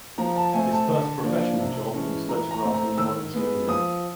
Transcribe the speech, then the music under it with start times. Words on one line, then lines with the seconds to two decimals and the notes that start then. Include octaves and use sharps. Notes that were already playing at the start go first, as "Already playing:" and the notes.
His first professional job was photographing Laurence Olivier.
0.18 F3 A#5
0.36 A5
0.53 A3 C4 G#5
0.71 A5
0.88 D3
1.23 F3 A#3 D4
1.59 C3
1.94 E3 G#3 C#4
2.28 E3 A#5
2.51 A#5
2.64 A3 C4
2.74 A#5
2.98 D#3 E6
3.34 G#3 B3
3.67 F3 D#6